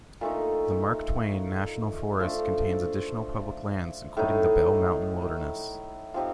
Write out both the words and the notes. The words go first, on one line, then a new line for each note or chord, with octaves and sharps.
The Mark Twain National Forest contains additional public lands, including the Bell Mountain Wilderness.
A#2 A3 D#4
F3 A3 D4
A2 A3 D#4
F3 C4 D#4 G4